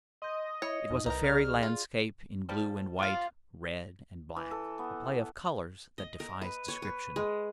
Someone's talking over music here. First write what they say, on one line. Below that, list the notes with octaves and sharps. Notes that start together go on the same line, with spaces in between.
It was a fairy landscape in blue and white, red and black, a play of colours that defies description.
D#5 C6 G6
E4 C#5 C#7
F2 D#4
C2 D#4 A#4 B4
G#4 D5 F6
F4
F3 G3 A4
F4 D5 F5
E3
A4
B3
D#5
A#4
B4
C#5
B4
G#3